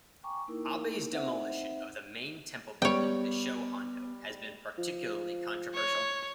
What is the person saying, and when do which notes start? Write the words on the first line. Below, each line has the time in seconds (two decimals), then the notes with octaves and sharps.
Abe's demolition of the main temple building, the Sho Hondo, has been particularly controversial.
0.23 G5 G#5 A#5 C#6 D6
0.48 A#3 D#4 E4 A#4
1.11 C4 D#4 C5 E5 F#5
2.82 G3 B3 C#5 G5
4.78 F3
5.74 C#5